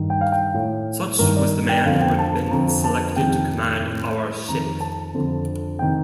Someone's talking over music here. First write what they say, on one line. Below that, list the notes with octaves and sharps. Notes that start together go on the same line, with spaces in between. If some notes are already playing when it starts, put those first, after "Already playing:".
Such was the man who had been selected to command our ship.
Already playing: G2 D#3
G5
F5
G5
A2
G2 D#3 A#4
D5
G5
F2 D3 F5
G5
A5
A5
F2 D3 A#5
A5
F2 C3 D#3 G5
A2
F2 D#3 A#5
A5
F2 D3
C3 D#3 G5